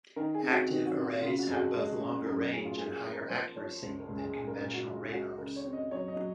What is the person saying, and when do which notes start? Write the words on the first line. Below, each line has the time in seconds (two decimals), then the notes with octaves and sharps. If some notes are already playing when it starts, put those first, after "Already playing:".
Active arrays have both longer range and higher accuracy than conventional radars.
0.16 D#3 A#4
0.34 G#4
0.43 C3
0.52 F#4
0.69 D#3
0.86 F#4
0.96 C3
1.05 F#4
1.21 C#3 F4
1.39 F#4
1.47 F2 G#4
1.56 F#4
1.73 G#3
1.99 C#4
2.26 F#2 A#4
2.39 A#4
2.52 C#4 G#4
2.65 F4
2.77 A#3 G#4
2.95 G#4
3.04 A#3
3.12 A#4
3.29 F3 C5
3.56 F3 C#5
3.82 C#2 C5
3.99 A#4
4.09 C#2
4.17 G#4
4.34 A#2 G#4
4.47 A#4
4.61 A#2 A#4
4.74 F#4
4.86 G#3 F4
5.12 G#3 F#4
5.38 C#3 A#4
5.56 C#5
5.64 C4
5.73 D#5
5.91 F#3 C#5
6.08 D#5
6.16 F#3